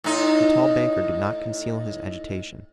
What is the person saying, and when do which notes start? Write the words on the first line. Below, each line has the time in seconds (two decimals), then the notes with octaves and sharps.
The tall banker did not conceal his agitation.
0.04 A2 D#4